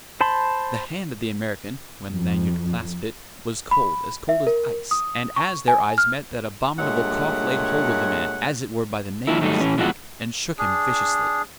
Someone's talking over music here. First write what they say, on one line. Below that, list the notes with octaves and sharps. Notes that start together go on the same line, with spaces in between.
The hand of the American, when Lanyard clasped it, was cold, as cold as ice; and as their eyes met that abominable cough laid hold of the man, as it were by the nape of his neck, and shook him viciously.
C5 A5 B5 C6
F2
B5
E5
A#4
D#6
C#6
G#5
F6
G2 A#2 G#3 A3 C#5 F#5
D3 D#3 F3 A#3 E4
D#3 F#3 G3 A3 D#4
E3 C#4
B2 E3 F3 G#3 D4 F#4
D4 G#4